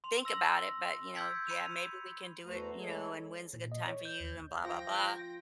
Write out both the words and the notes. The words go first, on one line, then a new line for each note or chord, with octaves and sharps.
think about it, but, you know, yeah, maybe we can do it, you know, and when's a good time for you?" and blah, blah, blah,
C6 F7
E6 A#6 F#7
E6 G6 G#6 B6 C#7 D7
B5 C#7 D#7 F7
E2 A3 F#4 B4 C5 A#5
G#3 E4 G#4 A4 C#5
A#2
D#5
C#5
G6
D#2
F3 G5 A#6